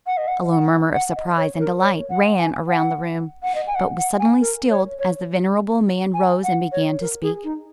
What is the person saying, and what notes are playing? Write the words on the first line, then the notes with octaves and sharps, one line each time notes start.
A low murmur of surprise and delight ran round the room, but was suddenly stilled, as the venerable man rose and began to speak.
F#5
D#5
F#5
F#5
F#5
D#5
C#5
A#4
C#5
F#5
G#5
F#5
F#5
D#5
G#5
F#5
F#5
G#5
A#4
C#5
C#5
G#5
F#5
C#5
A#4
G#4
D#4